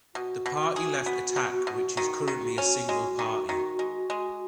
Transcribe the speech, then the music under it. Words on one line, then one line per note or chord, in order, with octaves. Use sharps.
The party left Attack which is currently a single party.
B2 F#4
B2
G#4
B3
B2
B2
D#3
D#3
C#4
G#3 F#4
D#3
D#3
G#3
G#3